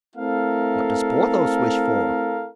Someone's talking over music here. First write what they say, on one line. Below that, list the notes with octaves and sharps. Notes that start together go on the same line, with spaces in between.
"What does Porthos wish for?"
A3 C4 E4 A4 A#4 F5